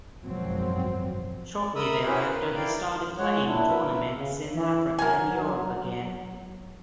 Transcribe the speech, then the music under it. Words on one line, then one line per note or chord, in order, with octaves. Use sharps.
Shortly thereafter he started playing tournaments in Africa and Europe again.
G#1 F#2 B2 F3 F#3 C4
D5
A#4 E5 B5 D#6 E6
C#4 E4 F#4 G#4 B4 C5
A#4 B4
E4 A#4 D5 F5 G5
G#3 C#5 F#5
A#2 D4 E4
A#4 B4 E5
C#3
E3
F#3 A#4 G#5